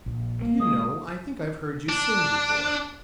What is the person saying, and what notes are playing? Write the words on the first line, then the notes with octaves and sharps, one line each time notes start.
"Do you know, I think I've heard you sing before."
A#1
A#3
G#3 D#6
D4